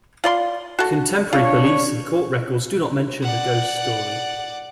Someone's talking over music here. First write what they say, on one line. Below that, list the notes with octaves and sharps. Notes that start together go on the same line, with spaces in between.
Contemporary police and court records do not mention the ghost story.
F4 D5 C6
F#4 A4
D4 F4 C#5
D5 F#5